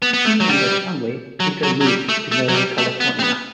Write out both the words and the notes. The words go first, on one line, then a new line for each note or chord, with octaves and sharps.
She and her family later moved to Northern California.
B3
B3
A3
F#3
G3
F#3
F#3
F#3
G3
A3
A3
F#3
G3
A3
B3
C4
B3